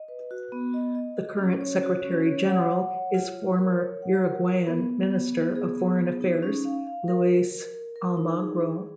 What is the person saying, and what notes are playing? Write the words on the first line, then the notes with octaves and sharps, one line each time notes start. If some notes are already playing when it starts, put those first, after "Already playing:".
The current Secretary General is former Uruguayan minister of foreign affairs Luis Almagro.
Already playing: D#5
B4
F#4
B3
D#5
D#5
F#4
C#4
C#5
F#4
C#4
C#5
F#5
F#5
C#5
F4
C#5
A#4
C#5
F#5
A#4
A#4
B3
B3
B3
B3
G#4
B3
G#4
D#4
C#4
F5
F5
A#4
F#4
A#4
A#4
A#4
D#4
G#4
G#4